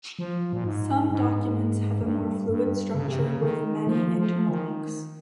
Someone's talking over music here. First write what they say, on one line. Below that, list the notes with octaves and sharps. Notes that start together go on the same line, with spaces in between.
Some documents have a more fluid structure with many internal links.
F3
A#2
G#2
G#2
G2
G2
C#3
C3
C#3
D#3
F3
F3
D#3